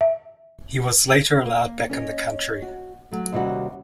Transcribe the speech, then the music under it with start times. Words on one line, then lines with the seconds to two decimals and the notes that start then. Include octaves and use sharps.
He was later allowed back in the country.
0.01 E5
1.45 A#3
1.90 C#4 C#5 D#5
2.62 F#4
3.11 F#3 A3
3.32 D#2 C3 G3 C#4 F#4